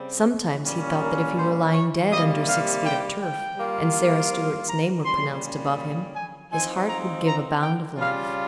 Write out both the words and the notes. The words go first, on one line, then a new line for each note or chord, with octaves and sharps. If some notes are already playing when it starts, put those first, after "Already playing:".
Sometimes he thought that if he were lying dead under six feet of turf and Sara Stuart's name were pronounced above him, his heart would give a bound of life.
Already playing: C#3 G3 C4
A#2 G3 C#4
A#4
C5
C#5
C3 G3 A#3 D#5
F5
G5
G5
G3 A#3 F4
A#5
A#2 G3 C#4 C6
G#5
F3 C4 D#4 G#5
A#5
A#5
G5
C#3 G3 C#4 F4 F5